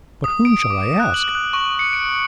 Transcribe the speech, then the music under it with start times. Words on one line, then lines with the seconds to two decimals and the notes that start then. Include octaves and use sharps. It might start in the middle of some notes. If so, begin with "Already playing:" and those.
But whom shall I ask?
0.24 D#6
0.45 D7
0.70 D6
1.00 F#6
1.14 F#7
1.35 F#6
1.53 C#6
1.79 C#7
1.93 D7